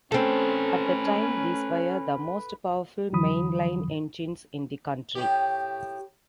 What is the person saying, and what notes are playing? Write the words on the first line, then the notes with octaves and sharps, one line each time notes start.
At the time, these were the most powerful main line engines in the country.
A3 C4 C#4 A4 B4
F2 D3 E3 F#3 B5 D#6
A2 G4